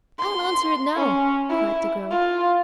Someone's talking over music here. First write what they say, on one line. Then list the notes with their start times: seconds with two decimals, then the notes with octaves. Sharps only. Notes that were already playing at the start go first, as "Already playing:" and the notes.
"I'll answer it now!" cried the girl.
0.19 C6
0.96 C#4
1.49 E4
2.11 F4